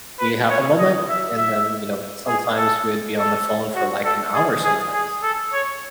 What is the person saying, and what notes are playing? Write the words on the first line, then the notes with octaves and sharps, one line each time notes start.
Do you have a moment?" And then, you know, sometimes we'd be on the phone for, like, an hour sometimes.
B4
C#5
D#5
E5
E5
G#4
A4
A4
F#4
A4
G#4
G#4
G#4
A4
C#5